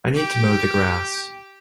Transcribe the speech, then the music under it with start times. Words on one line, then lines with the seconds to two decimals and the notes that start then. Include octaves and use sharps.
I need to mow the grass.
0.15 G4 G5